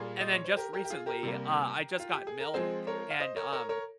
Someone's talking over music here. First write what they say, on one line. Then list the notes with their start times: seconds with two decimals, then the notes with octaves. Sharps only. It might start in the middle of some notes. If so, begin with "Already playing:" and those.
and then just recently, uh, I just got milk and, um,
Already playing: A#2 G3 A#3 F4 G#4
0.20 D#5
0.33 C#5
0.45 C5
0.57 G4 A#4
0.73 G4 A#4
0.85 G4
0.90 F4 G#4
1.06 G4 A#4
1.23 C3 G3 A#3
1.99 F4
2.13 G4
2.27 G#4
2.40 A#4
2.54 F3 G#3 C4 G#4 C5
2.87 A#4 C#5
3.11 F5
3.20 C5 D#5
3.36 A#4 C#5
3.53 A#4 C#5
3.69 A#4 C#5